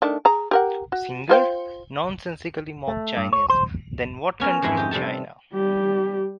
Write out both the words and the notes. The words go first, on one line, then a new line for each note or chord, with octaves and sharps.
Singer: Nonsensically mock Chinese, then What country in China?
D#3 A3 D4
G#4 A#5
G4 A#4 F#5
F#4
F4 C5 G5
A3
G2
C#5
C5
B3 C#4 A#4 G#5
F2 G#2 G#3 E4
G4 D#5
C3 G3 A4 A5
G3 G4